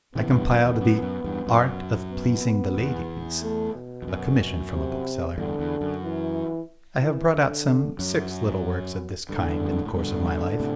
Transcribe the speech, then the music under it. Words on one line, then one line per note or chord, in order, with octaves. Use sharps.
I compiled the "Art of pleasing the ladies," a commission from a bookseller. I have brought out some six little works of this kind in the course of my life.
C3 E3 B3
E2 G2
F#2
E2
F#2
F#2
E2 G2
F#2
B3
E2
A3
B2
E2
F#2
C3
E2 G2 D3
E2
F#2
E3
E3
D3
F#2 F#3
G2 D3
A2
E2 G2
A2
G2 B2 D3
A2 C3